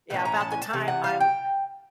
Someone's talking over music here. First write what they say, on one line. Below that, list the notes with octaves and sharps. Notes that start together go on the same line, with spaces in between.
yeah, about the time I'm,
A2 E3 C#4
A#5
A5
G#5
A5
C3 E3
F#5
F5
G5